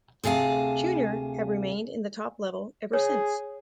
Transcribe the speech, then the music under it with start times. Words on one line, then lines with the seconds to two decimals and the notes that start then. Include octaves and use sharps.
Junior have remained in the top level ever since.
0.24 D2 C3 G#4 F5 A5
2.93 G#4 C#5